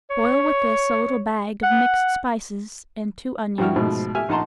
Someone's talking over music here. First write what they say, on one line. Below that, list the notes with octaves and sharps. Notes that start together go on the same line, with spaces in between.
Boil with this a little bag of mixed spices and two onions.
C#5
F#5
G2 F3 E4 F#4 G5 F6
G#2 B2 F3 A3
G4 E5 G#5 F6
A#1 D#4 F#5 A5 A#5 C6